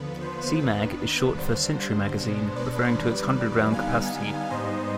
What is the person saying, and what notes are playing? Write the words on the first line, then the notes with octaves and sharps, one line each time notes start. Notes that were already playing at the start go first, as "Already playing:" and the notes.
"C-Mag" is short for "century magazine", referring to its hundred-round capacity.
Already playing: D#2 D3 F3 B3 B4
C5
D#2 D#3 B3 D4 B4
D#2 D3 G3 D4 C5
B2 G#3 B3 D4
B4 D5
F2 D#3 G3
D3 G3 B3 D#4 F5 G#5
G#2 G3 B3 D#4 C5 D#5